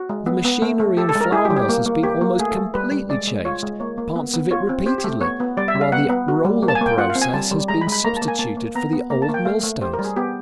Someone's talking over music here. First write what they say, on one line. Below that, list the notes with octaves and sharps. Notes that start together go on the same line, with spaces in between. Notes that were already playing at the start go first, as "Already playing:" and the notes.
The machinery in flour-mills has been almost completely changed, parts of it repeatedly, while the roller process has been substituted for the old millstones.
Already playing: F#4
G#3
B3
B3
A3
A3
G4 A4
A4
G#3
A#4
E4 G#4
G4
G3
G4
A#3
A#3
A#3 G4
A#3
A3 G#4
A4
A3
G3 B4
G3
G#3 D5
G#3
F4 C#5
G#3
A#3 C#5
A#3
B3
B3
F4 C#5
C4
G4 C5
G4
A3
B3 C#5
B3
G3 D5
E5
G3
F5
B3 F#5
B3
F#4
G3
A#3
A5
G#5
A#3 G5
F4 F#5
F5
C4
G#5
G3 A5
G3
G#3 A#5
B5
G#3
B5
A#3 A#5
A5
A#3
G#5
A#3 A5
A#3
B3 A#5
B3
A#3 A#5
A5
A#3
G5
A3 F5
A3
G4 C5
A#4
G3
G#4
B3 G4